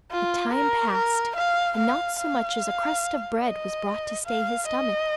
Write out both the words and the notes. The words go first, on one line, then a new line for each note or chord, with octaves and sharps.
But time passed, and not so much as a crust of bread was brought to stay his stomach.
F4
A#4
A#4
F5
F5
F5
D#5
F5
D#5